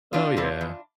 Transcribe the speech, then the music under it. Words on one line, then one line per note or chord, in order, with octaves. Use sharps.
Oh, yeah.
E2 D4 F4
C3 G3 C4
E2